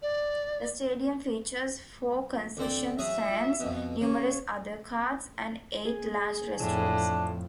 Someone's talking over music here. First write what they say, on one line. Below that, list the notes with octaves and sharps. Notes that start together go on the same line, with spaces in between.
The stadium features four concession stands, numerous other carts, and eight large restrooms.
D5
D2 C4 D5
F#3 G#4 E5
F2 B2
C#3 C#5
G#4
F2 A2 D4